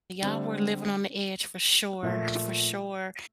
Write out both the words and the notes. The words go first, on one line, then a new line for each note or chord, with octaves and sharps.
Y'all were living on the edge for sure for sure.
D3 G3 C4
A#2 F3 A3